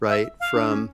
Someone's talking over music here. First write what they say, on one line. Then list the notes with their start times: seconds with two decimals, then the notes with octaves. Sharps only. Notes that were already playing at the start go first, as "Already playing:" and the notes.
right, from
0.09 E5
0.40 F5
0.55 D4
0.71 C#4